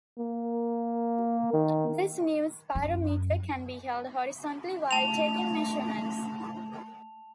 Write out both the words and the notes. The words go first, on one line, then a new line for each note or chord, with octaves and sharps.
This new spirometer can be held horizontally while taking measurements.
A#3
D#3
F#2
A3 A5 F7